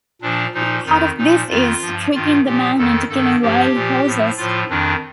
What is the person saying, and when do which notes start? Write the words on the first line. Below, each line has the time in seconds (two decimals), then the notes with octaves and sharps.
Part of this is tricking the man into killing wild horses.
0.21 A#2 F3 D4
0.54 A#2 F3 D#4
0.86 F2 D#3 D#4
1.18 A#2 F3 D#4
1.49 F2 D#3 F4
1.82 G2 F3
2.14 G2 D#3 F4
2.46 A#2 F3 G4
2.78 F2 D#3 A4
3.09 G2 D#3 A4
3.42 G2 F3 G4
3.74 A#2 F3
4.05 A2 F3
4.37 A2 F3 F4
4.69 F2 D#3 D4